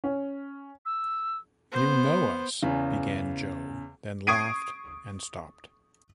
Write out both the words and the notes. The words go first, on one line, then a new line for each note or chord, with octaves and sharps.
"You know us," began Jo, then laughed, and stopped.
C#4
E6
B3 C5
E2 C#3
C#6 D#6 G#6 C7 D7 D#7